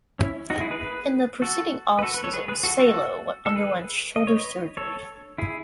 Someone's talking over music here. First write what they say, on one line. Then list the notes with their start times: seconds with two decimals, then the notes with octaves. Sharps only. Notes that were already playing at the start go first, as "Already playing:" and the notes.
In the proceeding off-season, Salo underwent shoulder surgery.
0.19 C#4 E4
0.50 D#4 F#4
0.60 E4 G#4
0.71 G#4 B4
0.81 G#4 B4
1.42 F#4 A4
1.99 B4
2.03 F#4 A4
2.14 B4
2.24 A4 C#5
2.33 G#4 B4
2.48 G#4 B4
2.63 F#4 A4
2.79 F#4 A4
3.46 A4
3.56 G#4 B4
4.16 D#5
4.27 C#5
4.37 B4 D#5
4.77 A4 C#5
5.38 E4 G#4